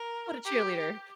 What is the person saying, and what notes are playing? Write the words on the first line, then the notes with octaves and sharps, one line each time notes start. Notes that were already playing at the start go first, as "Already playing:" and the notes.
What a cheerleader.
Already playing: A#4
G4